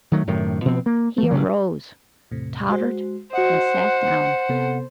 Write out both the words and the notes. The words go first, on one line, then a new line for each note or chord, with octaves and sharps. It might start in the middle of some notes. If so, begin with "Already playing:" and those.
He arose, tottered and sat down.
D#3 F#3 A3
F#2 A2 C3 D#3
B2 F3 B3 C4
A#3
E3 A3
A1 G2 C#3 F#3
E2 A2 C3
G#3 F#4 C5
F#4 C5 D#5 F#5
C3 B3 A4